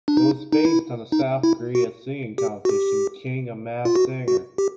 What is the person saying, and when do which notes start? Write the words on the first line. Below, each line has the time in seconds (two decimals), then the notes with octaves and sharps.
It was based on the South Korea singing competition King of Mask Singer.
0.08 D4
0.17 D#4
0.52 D#4
0.65 E4
1.12 D#4
1.43 E4
1.75 F#4
2.38 G4
2.65 F#4
2.69 G4
3.85 F4
3.96 F#4
4.28 F#4
4.58 G4